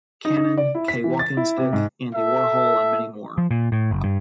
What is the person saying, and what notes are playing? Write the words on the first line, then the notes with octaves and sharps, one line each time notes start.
Cannon, Kay WalkingStick, Andy Warhol, and many more.
D#4
D#4
D5
E4
B6
E3
A6
E4
C3
G#2
A4 E5
F3
A#2
A2
F#1
G2